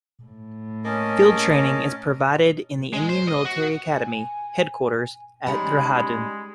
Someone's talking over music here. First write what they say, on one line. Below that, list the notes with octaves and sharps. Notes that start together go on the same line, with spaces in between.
Field training is provided in the Indian Military Academy Headquarters at Dehradun.
A2
A#3 C#4 D#5 A5
G#3
C5
D#5
F#4
G#5
G3 G#3 C#4 D#4 B5